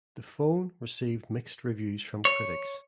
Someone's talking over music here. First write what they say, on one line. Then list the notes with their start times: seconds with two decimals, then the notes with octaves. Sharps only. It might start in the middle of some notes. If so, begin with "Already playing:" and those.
The phone received mixed reviews from critics.
2.25 C#5